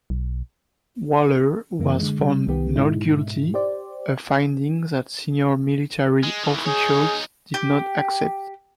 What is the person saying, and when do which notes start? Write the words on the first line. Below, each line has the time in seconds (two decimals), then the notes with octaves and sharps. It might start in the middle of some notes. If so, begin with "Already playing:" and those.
Waller was found not guilty, a finding that senior military officials did not accept.
0.10 B1
1.80 F#2 C#3 E3 A#3
1.99 D3 G#3
2.19 C3 G3
2.47 C2 D#3 B3 G4
2.76 G#2 B2 G#3 D#4 E4
3.54 G4 C5 D5
6.23 G#3
6.43 D#3 E3
6.66 D#4 G#4 C#5
7.54 G4